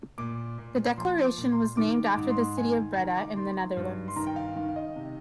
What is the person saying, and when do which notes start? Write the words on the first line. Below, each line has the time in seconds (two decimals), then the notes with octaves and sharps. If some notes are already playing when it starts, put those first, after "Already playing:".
The declaration was named after the city of Breda in the Netherlands.
0.18 A#2 D6
0.58 A#2
0.98 F3 C6
1.19 C6
1.24 D6
1.38 A#2
1.52 C6
1.77 D#3 D6
2.05 D6
2.17 G#2
2.30 C6
2.57 D#3 G#5
2.97 D#3 A#5
3.17 D6
3.36 D#3 C6
3.77 G2
4.08 C6
4.16 D#3 A#5
4.27 G5
4.36 F5
4.56 D#3 F5
4.69 F5
4.76 D#5
4.96 C3